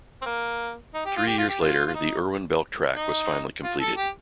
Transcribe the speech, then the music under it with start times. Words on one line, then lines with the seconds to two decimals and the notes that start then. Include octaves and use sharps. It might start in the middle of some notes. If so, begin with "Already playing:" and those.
Three years later, the Irwin Belk Track was finally completed.
0.22 C4
0.26 A#3
0.94 D#4
1.05 G4
1.16 F4
1.27 G4
1.38 F4
1.49 G4
1.60 F4
1.87 F4
1.95 D#4
2.95 D#4
3.63 F4
3.80 A4
3.97 G4